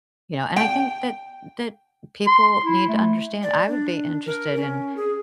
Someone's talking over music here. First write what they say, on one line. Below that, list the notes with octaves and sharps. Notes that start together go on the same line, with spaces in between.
you know and I think that that people need to understand, I would be interested in
G5
C6
E4
A3
D5
D4
A#4
C#4
G#4